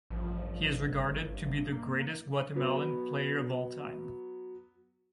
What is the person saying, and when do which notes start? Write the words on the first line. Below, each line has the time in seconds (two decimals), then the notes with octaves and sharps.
He is regarded to be the greatest Guatemalan player of all time.
0.10 A1 G2 F3
0.82 G1
1.72 A#3
2.55 F#3 B3